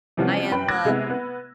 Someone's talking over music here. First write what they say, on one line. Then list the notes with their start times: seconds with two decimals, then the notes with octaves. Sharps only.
I am, uh
0.17 C3 E3 F3 G3 B3 C#4
0.51 F#2 B4 G5 B5
0.68 B5 D6 E6 F#6 G#6 A#6
0.85 C3 G#3 B3 E4
1.10 B3 B4